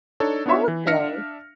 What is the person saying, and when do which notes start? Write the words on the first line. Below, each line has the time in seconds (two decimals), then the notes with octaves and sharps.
Oh, okay.
0.20 D4 D#4 A4 C#5
0.46 B3 D4 D#4 F4 C#5 E5
0.68 E3
0.87 D4 E5 F5 F6 A#6 C#7